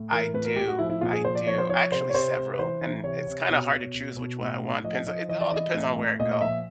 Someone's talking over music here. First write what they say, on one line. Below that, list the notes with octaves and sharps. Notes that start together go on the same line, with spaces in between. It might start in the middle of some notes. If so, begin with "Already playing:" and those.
I do. I do. Actually, several, and it's kinda hard to choose which one I want, depends it all depends on where I go.
Already playing: A2
E3 A#4
A2 B4
A#4
A2 G4
F#4
F3 E4
E4
A#2 F4
G#4
F3 C5
D5
F3 C#5
C5
F3 C#5
C3 C5
C#5
C3 C5
C3
B4
E3 C5
E3
C3 C#5
C3
B2
B2
B2
B2
A2
A2
F3 D#5
F3 D#5
E3 D#5
D5
E3 D#5
A2
A2
A#2 D#5
D#5
F3 E5